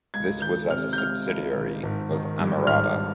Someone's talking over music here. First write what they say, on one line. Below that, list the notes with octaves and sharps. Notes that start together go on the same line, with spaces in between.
This was as a subsidiary of Amerada.
C#2 G#6
D#3 G6
C3 F6
G6
C#2 F6
C#2
D#3
G#1
D#3
G2
G#1 F6